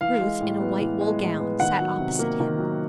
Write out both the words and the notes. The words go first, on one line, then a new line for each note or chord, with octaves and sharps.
Ruth, in a white wool gown, sat opposite him.
E3 F5
G#3
A2
B3
E3
G#3
A2
B3
D#3 F#5
F#3
C3
A#3
D#3
F#3